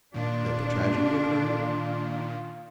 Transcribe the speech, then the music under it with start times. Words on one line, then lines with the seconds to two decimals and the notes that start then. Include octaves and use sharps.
"That the tragedy occurred?"
0.14 A#2 D#3 D4 F4